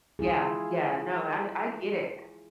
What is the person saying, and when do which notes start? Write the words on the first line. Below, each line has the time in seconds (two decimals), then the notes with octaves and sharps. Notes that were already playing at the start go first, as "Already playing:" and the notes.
Yeah, yeah, no, I d I get it,
0.19 E4 F4 G#4